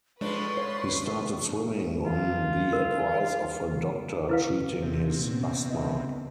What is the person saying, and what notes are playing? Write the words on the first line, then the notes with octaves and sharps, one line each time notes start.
He started swimming on the advice of a doctor treating his asthma.
A2 F3 G#3 D4 B4 C6 C#6
C#5
F4
A#4
E4 B4 F5
C3
A#2 B3
C#4
D#5 E5